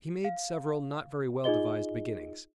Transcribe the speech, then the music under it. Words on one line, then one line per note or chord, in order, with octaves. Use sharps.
He made several not very well-devised beginnings.
F5
D#4 F4 G#4 D#5 G7